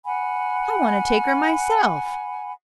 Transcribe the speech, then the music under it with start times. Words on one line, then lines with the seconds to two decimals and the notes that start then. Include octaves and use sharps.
"I want to take her myself."
0.05 F#5 G#5 B5